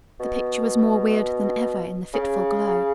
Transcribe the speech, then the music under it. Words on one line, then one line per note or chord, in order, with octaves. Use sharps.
The picture was more weird than ever in the fitful glow.
B2
C#3